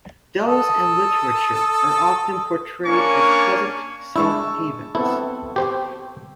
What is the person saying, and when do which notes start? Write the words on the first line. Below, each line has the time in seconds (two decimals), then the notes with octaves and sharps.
Dells in literature are often portrayed as pleasant safe havens.
0.46 A4 D#6
2.85 A#3 C#4 D4 G#5 C#6
4.16 G#3 D4 E4 A5 C#6 E6
4.95 B3 C4 E4 A4
5.56 G4 C5 G5